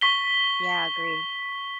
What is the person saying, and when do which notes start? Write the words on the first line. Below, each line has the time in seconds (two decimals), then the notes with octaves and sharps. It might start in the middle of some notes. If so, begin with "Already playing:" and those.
Yeah, agree.
0.01 C#6 B6 G7